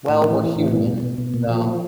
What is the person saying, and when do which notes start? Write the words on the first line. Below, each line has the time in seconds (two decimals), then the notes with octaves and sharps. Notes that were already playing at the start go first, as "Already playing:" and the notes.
Well, we're human, so
0.09 A2
0.24 E3
0.40 E3
0.56 A2
0.71 B2
0.87 B2
1.03 B2
1.18 B2
1.34 A#2
1.50 F3
1.65 F3